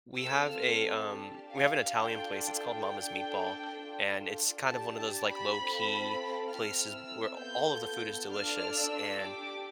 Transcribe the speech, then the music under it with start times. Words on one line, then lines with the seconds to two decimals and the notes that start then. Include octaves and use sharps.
we have eh, um, we have an Italian place. It's called Mama's Meatball, and it's kind of one of those, like, low-key places where all of the food is delicious, and
0.16 C4 F4 A4 E6
0.46 F6
1.06 D4 G4 A5
1.52 F5
1.96 D4 F4 A4 G5
2.42 G5
2.87 D4 A4
3.77 D4 F4 A4
4.67 D4 G4 A5
4.98 A5
5.28 B5
5.58 C4 F4 A4
6.48 C4 E4 A4 F6
6.93 E6
7.38 B3 F4 A4 G6
8.28 D4 F4 A4 F6
8.73 E6
9.19 D4 G4 D6